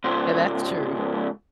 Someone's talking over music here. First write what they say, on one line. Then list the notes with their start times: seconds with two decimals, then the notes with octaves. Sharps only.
and that's true.
0.04 C#2 G#2